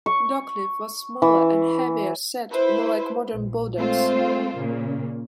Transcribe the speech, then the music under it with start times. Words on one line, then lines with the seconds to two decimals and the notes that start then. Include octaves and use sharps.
Dockleaf was smaller and heavier set, more like modern Bulldogs.
0.06 C#6
1.22 E3
2.51 E4 B4 C5
3.33 A#1
3.77 G#3 A3 C4 F4 C5
4.55 A#2 C#3 A#3